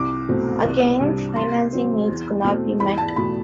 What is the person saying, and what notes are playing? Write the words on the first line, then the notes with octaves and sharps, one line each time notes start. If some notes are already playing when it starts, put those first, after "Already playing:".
Again, financing needs could not be met.
Already playing: C2 D6
B2 A3 C4
C2
C3 G3 D4
C3 C6
F#3 C4
E2
B2 A3 C4
E2 B5
A5
B2 A3 B5